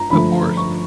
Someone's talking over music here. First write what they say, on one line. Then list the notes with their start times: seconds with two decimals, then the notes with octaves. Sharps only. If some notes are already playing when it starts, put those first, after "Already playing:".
Of course.
Already playing: A#5
0.10 D3 F3 A3 B5
0.57 C#6